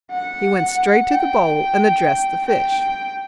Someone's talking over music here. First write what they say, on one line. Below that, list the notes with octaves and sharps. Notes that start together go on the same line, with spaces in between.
He went straight to the bowl and addressed the fish.
F#5
G5
G5